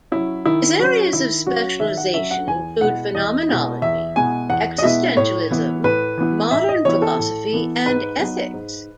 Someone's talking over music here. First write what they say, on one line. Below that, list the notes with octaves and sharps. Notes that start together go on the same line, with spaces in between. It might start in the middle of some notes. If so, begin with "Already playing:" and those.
His areas of specialization include phenomenology, existentialism, modern philosophy, and ethics.
F#3 C#4 E4
D#3 E4
F#3 C#4 F#4
D#3 E4
F#3 C#4 F#4
D#3 E5
F#5
F#3 C#4 E5
F#5
E2 G#5
B2 G#3 B3 E4 F#5
E2 D#5
B2 G#3 B3 E4
E2 E5
B2 G#3 B3 E4 G#5
E2 F#5
D#5
B2 G#3 B3 E4 E5
A2 C#5
E3 B3 E4
A2 B4
E3 B3 E4
A2 E5
D#5
E3 B3 E4 C#5
A4
A2
E3 B3 E4
G#2 B4
F#3 B3 D#4
G#2